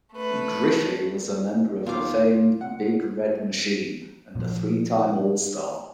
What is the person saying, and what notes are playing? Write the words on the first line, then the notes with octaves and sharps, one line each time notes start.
Griffey was a member of the famed Big Red Machine, and a three-time All-Star.
A3 B4
D#2 B2 D#3 F4 D6
F#5
A#2 F3